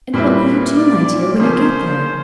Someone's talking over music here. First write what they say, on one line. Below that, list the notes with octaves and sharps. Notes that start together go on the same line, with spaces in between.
And what will you do, my dear, when you get there?'
A#2 G3 C4 E4 B4
D5
C#3 F3 A#3 C#4 C5